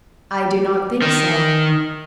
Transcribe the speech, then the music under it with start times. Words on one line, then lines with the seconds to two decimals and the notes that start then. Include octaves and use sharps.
"I do not think so."
1.02 D#3